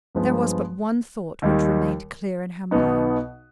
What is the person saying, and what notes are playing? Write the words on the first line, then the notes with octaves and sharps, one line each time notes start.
There was but one thought which remained clear in her mind.
G2 F3 G#3 B3
D#2 D#3 G3
B1 B2 B3 D#4